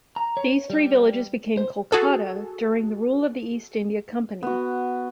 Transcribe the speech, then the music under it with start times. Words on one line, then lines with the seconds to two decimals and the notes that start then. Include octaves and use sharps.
These three villages became Kolkata during the rule of East India Company.
0.16 A#5
0.37 C#5
0.70 G3
1.57 C5
1.92 F#4 G#4 A4
4.43 B3 F#4